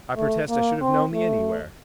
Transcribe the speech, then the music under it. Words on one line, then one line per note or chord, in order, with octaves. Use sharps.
I protest I should have known thee anywhere.
A3
A#3
C4
A3